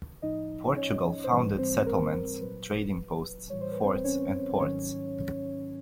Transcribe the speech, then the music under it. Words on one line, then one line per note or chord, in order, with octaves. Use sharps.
Portugal founded settlements, trading posts, forts and ports.
A2 F3 D#4 D#5
C#4 C#5
C5
G#2 E3 G3 B4
C4 C5
A#4
A#2 F#3 B4
A2 E3 G3 C#5
C5
B4
C4 C5
C#4 C#5
G#2 D#3 F#3 C#4 C#5